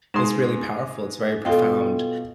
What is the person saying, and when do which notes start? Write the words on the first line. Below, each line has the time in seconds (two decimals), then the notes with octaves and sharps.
is really powerful, it's very profound,
0.14 G#2 G#4 C6 E7
1.45 B2 F4 A4 G5